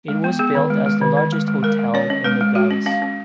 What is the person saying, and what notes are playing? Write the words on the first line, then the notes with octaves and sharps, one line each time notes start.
It was built as the largest hotel in Nogales.
G#3
B3
B3 G#4
D#3
G#3
G#3
D#3
D#3
G#3
G#3
G#3 A#4
G#3
C#4 C#5
C#4
G#3 B4
G#3
G#3 F#4
C#4
C#4 F5
C#4